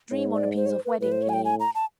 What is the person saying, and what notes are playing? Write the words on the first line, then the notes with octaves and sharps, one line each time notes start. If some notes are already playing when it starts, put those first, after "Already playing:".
Dream on a piece of wedding cake.
G#2 C#5
D5
C5
C#5
C5
B4
A2 B4
C5
C#5
G#5
G5
G#5
A#5
A5